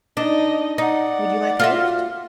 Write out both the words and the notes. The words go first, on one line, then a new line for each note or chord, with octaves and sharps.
Would you like a lift?
D4 D#4 D#5
D#4 D5 F#5
F4 F#4 E5